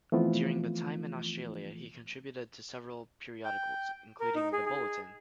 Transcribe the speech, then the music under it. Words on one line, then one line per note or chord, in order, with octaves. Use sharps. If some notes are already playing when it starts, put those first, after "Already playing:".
During the time in Australia he contributed to several periodicals, including "The Bulletin".
E3 F3 A3 B3 C4 F4
G5
A#4
D#4
G#4
G#4